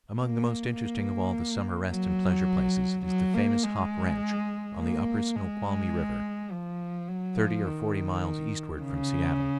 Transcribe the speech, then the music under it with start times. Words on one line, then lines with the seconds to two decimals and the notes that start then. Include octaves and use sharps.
Among the most interesting of all the summer rest and pleasure places is the famous "Hop Ranch" on the upper Snoqualmie River, thirty or forty miles eastward from Seattle.
0.18 A#3
0.76 A#3
1.90 F#3
3.05 F#3
3.34 A#3
3.63 G#3
4.78 A#3
5.35 G#3
6.51 F3
7.08 F#3
7.37 F3
7.66 D#3
8.81 C#3